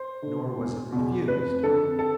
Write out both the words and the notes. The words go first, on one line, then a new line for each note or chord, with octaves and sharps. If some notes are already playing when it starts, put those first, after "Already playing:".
Nor was it refused.
Already playing: C5
D3
E1
E2 B2
F1 B4
F2 D3 A4
A4